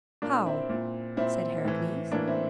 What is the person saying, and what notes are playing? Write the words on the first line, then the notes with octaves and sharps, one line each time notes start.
"How?" said Heracles.
A#2 A#3 D4
C4 E4
A#2
A#2 C4 E4
A2 E3
A2 E3 A#3 D4
C4 E4